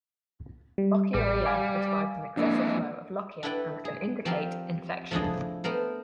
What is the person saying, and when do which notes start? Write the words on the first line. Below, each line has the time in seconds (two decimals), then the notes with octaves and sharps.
Lochiorrhea describes an excessive flow of lochia and can indicate infection.
0.78 G3
1.14 A1 G3 G#4
1.46 F5 G#5 D6
2.37 F2 E3 G#3 A#3 D4
3.43 D4 E4 A4 B4 F#5 G5
3.85 G#4
4.25 F3 C4 G4 A#4 C6
5.11 F3 A3 D4 E4 G#4 D#5
5.64 A3 B3 A#4 C5